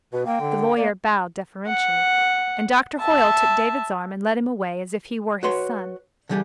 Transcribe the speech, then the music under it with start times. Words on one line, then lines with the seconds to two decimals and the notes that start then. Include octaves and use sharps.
The lawyer bowed deferentially, and Doctor Hoyle took David's arm and led him away as if he were his son.
0.13 B2 B4
0.26 A#3 G5
0.40 D3
0.77 A#3 D5
1.67 F#5
3.01 E5 A5
5.43 F#4 B4 C#5 C6
6.29 D3 E3 G3 G4 G#4